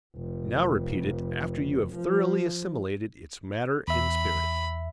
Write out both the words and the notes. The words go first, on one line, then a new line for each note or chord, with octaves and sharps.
Now repeat it after you have thoroughly assimilated its matter and spirit.
F1
F3
E2 E5 B5